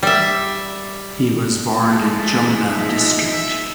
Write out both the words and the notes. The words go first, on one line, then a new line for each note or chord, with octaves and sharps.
He was born in Jumla district.
G3 E5
F3 G#3 A3
D#4 E5
E5